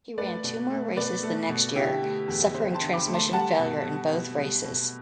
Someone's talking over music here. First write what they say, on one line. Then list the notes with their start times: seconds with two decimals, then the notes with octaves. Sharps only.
He ran two more races the next year, suffering transmission failure in both races.
0.18 A3 B4 D5
0.44 B2
0.70 A3
0.96 B2 B4 D5
1.23 A3
1.49 B2
1.75 D3 E4 G4
2.02 A3
2.28 E2
2.54 E2 C5 E5
2.74 A5 C6
2.80 D3
2.94 B5 D6
3.07 A3
3.13 A5 C6
3.33 G3 F#5 A5
3.59 B2
3.86 G3
4.12 B2
4.39 G3
4.65 B2